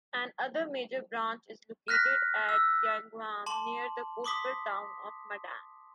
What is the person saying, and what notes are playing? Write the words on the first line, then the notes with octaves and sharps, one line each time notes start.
Another major branch is located at Yagaum, near the coastal town of Madang.
F6 F#6 A#6 B6
E6
A5 C6 D6 F#7
C6 D6 D#6 B6